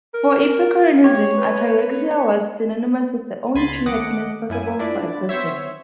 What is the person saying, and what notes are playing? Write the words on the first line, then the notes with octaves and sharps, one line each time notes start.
For Epicureanism, "ataraxia" was synonymous with the only true happiness possible for a person.
A#4
G4 C#5
B4
C#2 G#5 B5 C6 A6 D#7
D#2 D#5 F#5 D6 C#7
F#2 E4 G#5
D4 E4 F4 D5
B3 C4 C5 C#5 E5